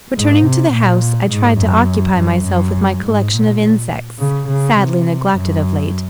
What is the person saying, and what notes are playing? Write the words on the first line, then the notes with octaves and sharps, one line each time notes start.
Returning to the house, I tried to occupy myself with my collection of insects, sadly neglected of late.
G#2
C3
A#2
G#2
F#2
F#2
F#2
G#2
A#2
C#3
C#3
C3
F#2